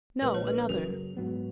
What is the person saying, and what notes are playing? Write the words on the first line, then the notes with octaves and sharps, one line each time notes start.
"No, another."
A#1 A#2 G#3 B4
C#5
B4
F#2 C#3 F#3 A#4
G#2 F#3 B3